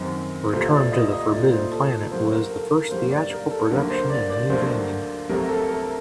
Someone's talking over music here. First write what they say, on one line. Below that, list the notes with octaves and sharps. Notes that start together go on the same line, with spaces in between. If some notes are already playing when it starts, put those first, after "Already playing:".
"Return to the Forbidden Planet" was the first theatrical production in the new venue.
Already playing: F#2 D#3 F#3 C4 A#4
C2 A#2 A3 C5
D5
D#5
D#5
C2 A#2 A3 D5
C5
A4
G2 F#3 A#3 C5
C5
A#4
A4
A#4
G2 F#3 A#3 C5
D5
A#4
A4
D2 D3 F#3 A#3 A#4
C5
D5
D5
D2 D3 F#3 A#3 C5
C2 C3 F#3 A3 A#4
A4
A#4